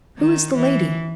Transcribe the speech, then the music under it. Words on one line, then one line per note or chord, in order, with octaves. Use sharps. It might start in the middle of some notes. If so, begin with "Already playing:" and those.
"Who is the lady?"
D#3
E3